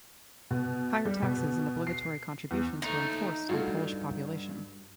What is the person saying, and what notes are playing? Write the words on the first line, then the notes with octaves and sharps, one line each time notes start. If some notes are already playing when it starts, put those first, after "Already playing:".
Higher taxes and obligatory contributions were enforced on Polish population.
B2
G3
B2
C7
E2
D#2 A3 D#4
G2 A3 F4 F#4